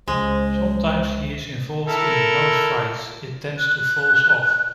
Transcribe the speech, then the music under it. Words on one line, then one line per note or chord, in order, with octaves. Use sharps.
Sometimes he is involved in nose fights it tends to falls off.
C#2 G#3 C5
E4 A4 A#4
F#6